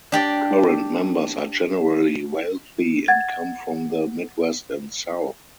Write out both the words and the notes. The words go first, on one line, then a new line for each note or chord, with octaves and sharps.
Current members are generally wealthy and come from the Midwest and South.
D4 G4 D5
F#5 G#6 A6